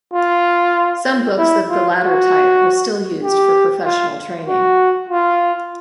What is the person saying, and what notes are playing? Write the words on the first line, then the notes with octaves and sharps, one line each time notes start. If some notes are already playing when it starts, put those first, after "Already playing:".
Some books of the latter type are still used for professional training.
F4
E4
F4
F#4
G4
F4
F#4
F4